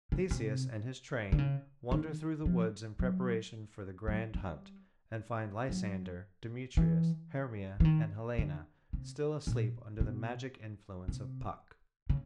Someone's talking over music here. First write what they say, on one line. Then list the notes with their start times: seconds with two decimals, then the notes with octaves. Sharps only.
Theseus and his train wander through the woods in preparation for the grand hunt and find Lysander, Demetrius, Hermia and Helena still asleep under the magic influence of Puck.
0.12 C#3
0.31 C3
1.32 D3
1.38 C#3
1.92 D#3
2.46 F3
2.99 F#3
4.08 F#3
4.34 G3
5.69 F#3
6.77 E3
7.80 E3
7.85 D#3
8.38 D3
8.93 C3
9.47 A#2
10.00 B2
11.08 C3
12.10 C#3